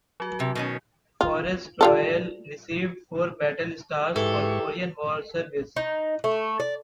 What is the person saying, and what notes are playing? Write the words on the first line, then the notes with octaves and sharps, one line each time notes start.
"Forrest Royal" received four battle stars for Korean War service.
F#3 F#4
C3 G4
B2 D#3 C#4
F4
G3 F4 A4
G#2 E3 G4 A4 C#6
D#4
A3
D5